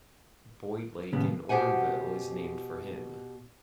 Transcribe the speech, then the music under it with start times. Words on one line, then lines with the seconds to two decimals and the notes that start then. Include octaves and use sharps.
Boyd Lake in Orneville is named for him.
1.13 D#2 A2 C#3 G3 B3
1.49 B2 G4 C5 F#5 G#5